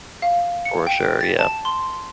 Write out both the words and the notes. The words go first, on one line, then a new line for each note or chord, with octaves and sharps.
For sure, yeah.
F5
C#7
G5
A6
A5
C6